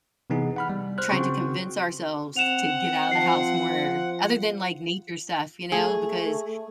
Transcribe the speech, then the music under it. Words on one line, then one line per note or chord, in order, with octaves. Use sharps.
trying to convince ourselves to get out of the house more, other than, like, nature stuff, you know, because
C3 E3 B3 D#4 G#4
F#5 B5 F6
G3
C5 F6 F#6
C#3 C4 F#4 G5 C6 C#6
C4 F#5 E7 F7
F3 A5 C7
A3 G#4